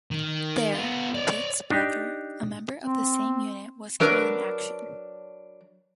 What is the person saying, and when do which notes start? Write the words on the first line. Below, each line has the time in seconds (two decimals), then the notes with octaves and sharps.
There, Witt's brother, a member of the same unit, was killed in action.
0.11 D#3
0.74 B3 F4
1.15 C#5 D5
1.71 D4 D#4 G4
2.82 C4
4.00 F#3 D4 A#4 B4